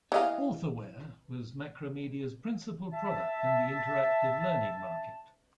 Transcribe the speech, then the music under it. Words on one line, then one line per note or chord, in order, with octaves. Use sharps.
Authorware was Macromedia's principal product in the interactive learning market.
E3 D#5 F5
E5 A5